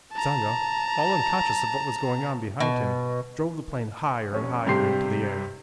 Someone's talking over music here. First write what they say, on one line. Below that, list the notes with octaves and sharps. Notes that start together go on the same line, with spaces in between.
Usanga, all unconscious of what was going on behind him, drove the plane higher and higher into the air.
A5 A#5
B2
F1 C#4
G2 C3 G4 C6 C7